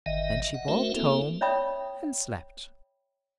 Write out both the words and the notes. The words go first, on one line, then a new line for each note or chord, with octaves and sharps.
Then she walked home and slept.
G1 D#3 D#5 E5
F#5
A3 C#4 F#4 A#4 C5 E5
A#3 C4 E4 A4
C#5 D5 E5 G5 B5 D#6